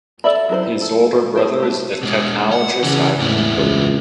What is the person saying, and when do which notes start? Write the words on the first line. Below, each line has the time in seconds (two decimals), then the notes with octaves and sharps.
His older brother is the technologist Ivan Pope.
0.24 A4 D5 E5 B5
0.49 F#3 E4 A#4 C5
0.63 G4
0.82 A4
1.36 G#4 C5 G5
1.60 A3 G4
2.03 B2 G#3
2.51 F#5
2.83 C#3 E3 C#4
3.20 E2 A2 C4 E4
3.57 C#2